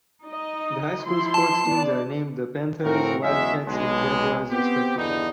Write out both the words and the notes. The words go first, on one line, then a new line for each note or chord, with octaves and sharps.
The high school sports teams are named the Panthers, Wildcats, and Jaguars, respectively.
D#4 D#5
F3 E4 C6
A5
B3 D4 D5
A2 E3 F3 C4 F#4 A#4
E2 F#3 G#3 C#4 E5
B1 G#3
B3 C4 G4
E2 G2 D3 E3 D#4